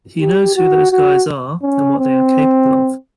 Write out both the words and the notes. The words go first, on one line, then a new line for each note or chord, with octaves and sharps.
He knows who those guys are and what they are capable of.
G4
F#4
F#4
C#4
C4